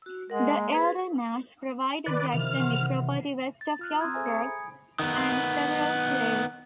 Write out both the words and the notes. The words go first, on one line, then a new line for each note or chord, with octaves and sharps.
The elder Nash provided Jackson with property west of Hillsborough, and several slaves.
F#4 E6
G#3 A#4 F#5
A#3 E6
G#4 B4 C5
D#3 B4 D5 C6
C3 E3 F4 F6
F#5 C6 C7
A6
F4 F6 F#6
C4 A#5 C6 D#6 E6 G#6
G#4 A4 C5 E5 G#5 A#5
G#5 D#6 G#6 C#7
B5
D#3 B3